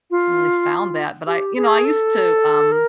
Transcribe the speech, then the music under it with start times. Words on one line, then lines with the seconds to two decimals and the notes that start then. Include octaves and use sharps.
really found that, but I You know, I used to, um,
0.11 F4
1.27 G4
1.56 G#4
1.85 A4
2.72 A#4